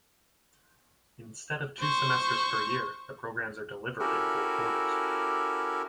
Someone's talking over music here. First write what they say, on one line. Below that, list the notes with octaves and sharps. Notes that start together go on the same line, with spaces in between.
Instead of two semesters per year, the programs are delivered in four quarters.
C5 C#6
C#4 E4 F#4 G4 A4 A#4